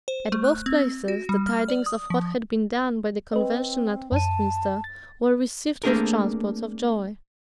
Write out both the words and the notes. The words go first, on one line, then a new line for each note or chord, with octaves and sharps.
At both places the tidings of what had been done by the Convention at Westminster were received with transports of joy.
C5
A3
F#6
C4
F#4
G3
F6
D5
D#6
F3
C4 B4 D#5
F#2 A5 D#7
A6
A3 A#3 C4 D4 G#4 A#4